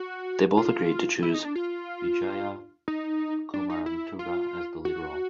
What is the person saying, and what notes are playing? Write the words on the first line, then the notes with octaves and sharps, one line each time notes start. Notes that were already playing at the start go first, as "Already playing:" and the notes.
They both agreed to choose Vijaya Kumaratunga as the lead role.
Already playing: F#4
F4
E4
D#4
D4
F4
D#4
D4
D#4
E4
F4
F#4